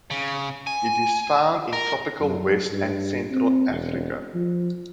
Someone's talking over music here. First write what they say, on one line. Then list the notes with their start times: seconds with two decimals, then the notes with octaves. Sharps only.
It is found in tropical West and Central Africa.
0.11 C#3
0.67 G#5
1.73 A#4
2.21 F#2
2.71 G2
3.31 C4
3.70 E1
4.34 F3